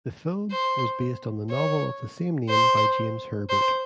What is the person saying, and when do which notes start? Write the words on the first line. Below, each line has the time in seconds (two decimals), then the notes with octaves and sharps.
The film was based on the novel of the same name by James Herbert.
0.51 C5
1.51 C#5
2.50 C5
3.49 C5